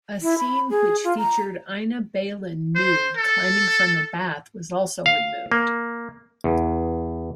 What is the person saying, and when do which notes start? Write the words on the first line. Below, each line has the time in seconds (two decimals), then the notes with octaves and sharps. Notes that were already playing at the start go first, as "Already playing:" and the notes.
A scene which featured Ina Balin nude climbing from a bath was also removed.
0.23 E4
0.39 B5
0.70 G#4
1.04 F4
1.18 A#5
2.75 C5
3.17 A4
5.06 F5
5.52 A#3
6.44 E2